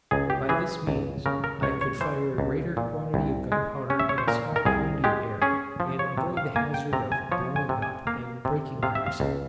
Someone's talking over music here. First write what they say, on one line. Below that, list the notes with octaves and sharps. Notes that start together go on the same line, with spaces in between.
By this means I could fire a greater quantity of gunpowder in a small quantity of air, and avoid the hazard of blowing up, and breaking my receiver.
C#2 G#4
G4
E3 G#4
C#2
C#3 A#4
A#4
C#2 C#5
C#5
E3 C5
C#2
A#2
C2
G#3
C#4
E5
C#5
C5
A#2 A#4
A#4
C2 G#4
G#3 G4
C#4 G#4
F3
C#5
C3
F5
A#3 G#5
G5
C3 A#5
G#5
F3 C#5
G#5
C3
G#5
A#3 F5
C3
C3 F5
E5
F5
C#2